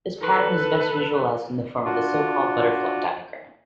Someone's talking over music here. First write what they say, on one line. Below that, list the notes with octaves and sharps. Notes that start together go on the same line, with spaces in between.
This pattern is best visualized in the form of the so-called butterfly diagram.
A4 B4
D4 F4 F#4